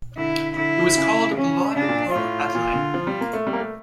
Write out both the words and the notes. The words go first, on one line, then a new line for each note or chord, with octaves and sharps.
It was called "Ballade pour Adeline".
D3 E4
D3 E4
D3
C#3
C#4
C#3 D4
A#2
A2 F4
A#2
D3
F3
G3
A#3
A3
G3
A#3
A3